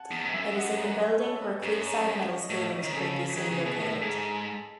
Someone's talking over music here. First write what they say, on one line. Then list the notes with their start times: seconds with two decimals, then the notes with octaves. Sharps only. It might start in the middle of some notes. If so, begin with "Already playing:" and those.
It is in the building where Creekside Middle School was previously located.
Already playing: F#5 G#5 A5
0.11 E2
0.25 G#2
0.33 F#2 E5 G#5
0.45 E5
0.55 D#5 F#5
0.76 B4 D#5
0.98 B4 D#5
1.20 A4 C#5
1.35 E5
1.42 B4 D#5
1.63 F#2 C#5
1.75 D#5
1.86 C#5
1.97 D#5
2.08 C#5
2.19 D#5
2.31 C#5
2.41 D#5
2.50 A2 C#5
2.64 D#5
2.74 C#5
2.83 D#3 D#5
2.94 C#3 A4 C#5
3.37 D#3 G#4 B4
3.51 C#3
3.58 G#4 B4
3.66 B2
3.80 A2 A4
4.01 G#2 G#4